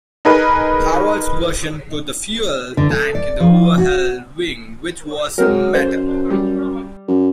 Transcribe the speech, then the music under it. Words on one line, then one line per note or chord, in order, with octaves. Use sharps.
Houart's version put the fuel tank in the overhead wing, which was metal.
D#4 G#4 A#4 B4
D3
A4
D5
F3
F#4
F#3 G#3 C4 A#4
F#2 C5
G3
F#2